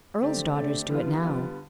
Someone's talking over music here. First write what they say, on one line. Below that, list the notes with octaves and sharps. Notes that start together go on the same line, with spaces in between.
Earls' daughters do it now.
D3 A3 C4 G4 D5
D3 A3 C4 G4 D5
D3 E3 G3 B3 F4
D3 F3 G3 B3 F4